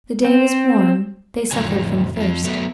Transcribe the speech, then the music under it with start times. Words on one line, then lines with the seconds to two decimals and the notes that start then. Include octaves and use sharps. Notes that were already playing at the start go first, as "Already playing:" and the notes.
The day was warm; they suffered from thirst.
0.25 C4
1.51 F2 A2 D3 D#3 F#3 G#5
2.16 F2 F3
2.44 F#3 A3 B3